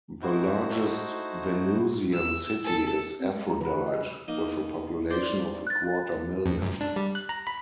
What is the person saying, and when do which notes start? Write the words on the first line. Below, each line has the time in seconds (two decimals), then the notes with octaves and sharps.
The largest Venusian city is Aphrodite, with a population of a quarter million.
0.22 A3 D#4 E4 F#4 C5
2.12 E6
2.64 A4
3.20 C4
3.35 G#3
3.48 A#5
3.61 E3 F#4 B4
3.73 G4
3.86 G#4 D#5
4.28 A#3 D#4
5.10 C5 D5 C6
5.67 F#6 A6
6.46 F2
6.62 F#2
6.81 D4
6.96 G3
7.15 F#6
7.29 A#5
7.47 B5